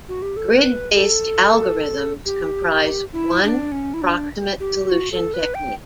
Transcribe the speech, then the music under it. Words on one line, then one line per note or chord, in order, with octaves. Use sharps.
Grid-based algorithms comprise one approximate solution technique.
F#4
G4
A4
B4
A4
G4
E4
D4
C#4
E4
D4
G4
F#4
A4
B4
G5